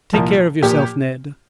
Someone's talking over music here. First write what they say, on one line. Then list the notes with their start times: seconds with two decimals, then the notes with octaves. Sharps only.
"Take care of yourself, Ned."
0.13 C2 A#2 F3
0.62 A#2 F3 G4